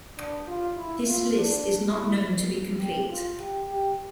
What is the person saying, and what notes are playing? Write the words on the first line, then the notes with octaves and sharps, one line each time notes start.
This list is not known to be complete.
D4
F4
E4
F4
D4
E4
G4
F4
G4
G4